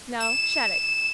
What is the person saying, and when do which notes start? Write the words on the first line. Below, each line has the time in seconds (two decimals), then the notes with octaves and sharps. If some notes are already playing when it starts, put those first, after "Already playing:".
No, shut it.
0.20 E7